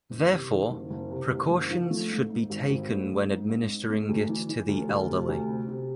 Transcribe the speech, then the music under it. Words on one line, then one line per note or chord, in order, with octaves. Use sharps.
Therefore, precautions should be taken when administering it to the elderly.
F#1
C3
D#3
F#1
F#1
C3
F#1
F#1
F3
A3
G#2
G#2
G#1
G#1
A3
G#2
G#2
G#2
G#2
A3
D2
E3
E3
D2
D2
C3
D2
C3
C3